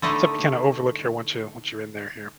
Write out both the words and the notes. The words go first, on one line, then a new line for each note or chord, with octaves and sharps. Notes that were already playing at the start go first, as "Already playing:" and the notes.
something you kinda overlook here once you once you're in there here.
D3 A3 D#4 E4